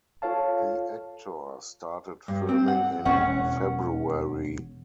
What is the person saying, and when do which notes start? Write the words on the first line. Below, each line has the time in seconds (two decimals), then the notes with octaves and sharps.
The actor started filming in February.
0.22 F4 A4 C#5 F5 A5
2.28 G2
2.49 C4
2.68 F#5
3.05 E1 C#4 F#5